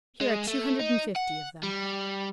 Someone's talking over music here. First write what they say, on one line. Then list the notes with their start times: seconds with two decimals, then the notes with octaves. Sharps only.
"Here are two hundred and fifty of them."
0.21 G#3
0.48 A3
0.79 D#4
1.16 F#5
1.63 G3